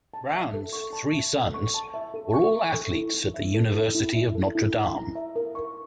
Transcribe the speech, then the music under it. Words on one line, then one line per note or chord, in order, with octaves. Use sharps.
Brown's three sons were all athletes at the University of Notre Dame.
A5
E5
A4
C#6
A5
E5
A4
C#6
A5
E5
A4
C#6
E5
A4
E4
E4
E5
A4
E4
E4
E5
A4
E4
E4
A#5
E5
A#4
C#6